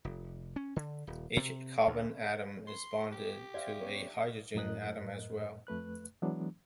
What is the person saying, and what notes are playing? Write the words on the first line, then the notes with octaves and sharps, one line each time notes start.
Each carbon atom is bonded to a hydrogen atom as well.
F1
C#4
D3
D#1
C3
D2
C6
G4
C5 D5 E5 F5 G5 G#6
B3 C#4 C#5
F#2 A2 A#4 D#5 F#6
F2 A3 B4 F#6
E3 F#3 G#3 B3 D4